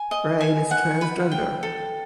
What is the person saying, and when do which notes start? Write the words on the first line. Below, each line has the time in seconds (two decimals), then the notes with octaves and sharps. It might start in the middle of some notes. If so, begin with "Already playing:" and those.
Raine is transgender.
Already playing: G#5
0.11 D#5
0.41 G#5
0.71 F#5
1.01 B4
1.32 G5
1.63 A4